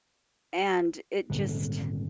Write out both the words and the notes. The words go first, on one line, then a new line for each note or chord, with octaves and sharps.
and it just
D#1 G#1 D3